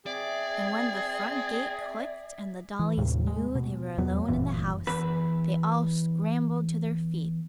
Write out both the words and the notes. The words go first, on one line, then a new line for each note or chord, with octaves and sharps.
And when the front gate clicked and the dollies knew they were alone in the house, they all scrambled to their feet.
C4 G#4 D5 E5
E3
D#2 A2 C3
G#3
B2
E2 F#3 B3
G1 F#2 A#2 E3
E2 B4